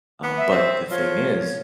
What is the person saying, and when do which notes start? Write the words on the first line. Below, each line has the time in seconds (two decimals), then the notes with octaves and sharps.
Um, but the thing is,
0.23 B3
0.37 E5
0.51 C4
0.91 F3 C#5